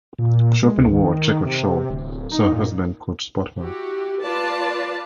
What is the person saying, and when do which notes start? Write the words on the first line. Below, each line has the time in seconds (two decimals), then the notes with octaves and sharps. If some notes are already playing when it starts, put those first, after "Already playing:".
She often wore a checkered shawl so her husband could spot her.
0.19 A#2
0.62 G#3
0.78 C#2
0.92 D#3
1.45 C3
1.90 D1
2.31 D#4
2.53 A#2
3.61 E4 F#4 G4
4.22 F4 B4 D5 A5